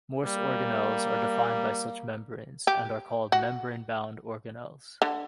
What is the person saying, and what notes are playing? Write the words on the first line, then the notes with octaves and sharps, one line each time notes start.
Most organelles are defined by such membranes, and are called "membrane-bound" organelles.
G3 A#3
G4
F#4
D3